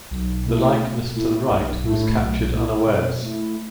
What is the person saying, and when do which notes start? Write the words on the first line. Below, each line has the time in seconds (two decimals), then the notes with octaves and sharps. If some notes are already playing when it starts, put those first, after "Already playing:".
The likeness to the right was captured unawares.
0.11 B1
0.46 B2 A3 E4
0.80 B1
1.14 B2 A3 E4
1.50 B1
1.84 A2 A3 E4
2.18 B1
2.53 A2 A3 E4
2.87 B2
3.22 A3 E4